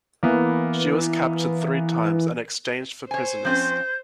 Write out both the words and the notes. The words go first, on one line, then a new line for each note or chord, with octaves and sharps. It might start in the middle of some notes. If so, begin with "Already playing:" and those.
She was captured three times and exchanged for prisoners.
E3 A#3 B3
C5 C#5 G#5
F3 C4 C#4 G6